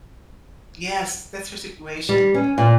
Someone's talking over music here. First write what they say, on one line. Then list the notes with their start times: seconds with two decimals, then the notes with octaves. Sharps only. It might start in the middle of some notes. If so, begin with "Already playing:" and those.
Yes, that's your situation.
2.09 G3
2.35 C#4
2.58 A#2